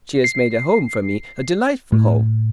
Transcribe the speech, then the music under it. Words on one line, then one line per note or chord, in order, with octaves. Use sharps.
She has made a home for me--a delightful home.
C7
A2